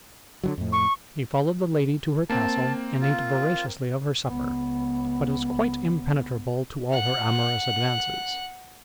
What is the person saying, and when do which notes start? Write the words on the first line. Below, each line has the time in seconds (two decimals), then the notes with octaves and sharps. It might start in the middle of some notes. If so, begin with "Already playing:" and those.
He followed the lady to her castle and ate voraciously of her supper, but was quite impenetrable to all her amorous advances.
0.44 D3 D#3 F#3
0.58 F2 A2
0.72 C#6
2.30 A#3 C4 A5
3.01 F4
4.27 C#2 B3
6.91 F#5 F#6